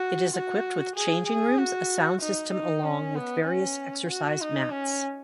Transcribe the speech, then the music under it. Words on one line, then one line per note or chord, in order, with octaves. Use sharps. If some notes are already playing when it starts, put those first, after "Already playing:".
It is equipped with changing rooms, a sound system along with various exercise mats.
Already playing: F#4
F#4
G#4
G#4
F#4
D#4
D#4
C#4
B3
C#4
F#4
D#4
C#4